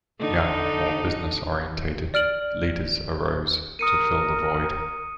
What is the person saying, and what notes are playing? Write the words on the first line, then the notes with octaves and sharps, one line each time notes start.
Young, more business-oriented leaders arose to fill the void.
D3 D#4 A4
D5 F6 D7 F#7
A#4 D#6 C#7 D#7